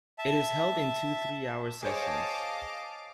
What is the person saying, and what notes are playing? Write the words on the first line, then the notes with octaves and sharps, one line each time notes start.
It is held in two three-hour sessions.
E5 A5
G#4 C5 C#5 D#5 F5 A5 D6